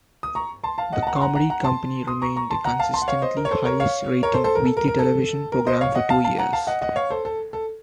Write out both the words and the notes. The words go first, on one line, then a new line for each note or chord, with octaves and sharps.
"The Comedy Company" remained the consistently highest rating weekly television program for two years.
D#6
A#5 C#6
A5 C6
F5 A5
D#5 F#5
A5
F#5 A#5
C6
F#5 A#5
F#5 A#5
F#5 A#5
A5 C6
C6 D#6
A#5 C#6
A#5 C#6
A5 C6
F#5 A#5
F5 A5
A5 C6
F#5
C#5 F5
C5 D#5
A#4
C#5
A4 C5
A#4 C#5
C#5 F5
A#4 C#5
A4 C5
A4 C5
A#4
A4
A#4
A#4
A4
A#4
C5 D#5
C#5 F5
D#5 F#5
F5 A5
F5 A5
F#5 A#5
F5 A5
D#5 F#5
D#5 F#5
C#5 F5
A4 C5
A4
A4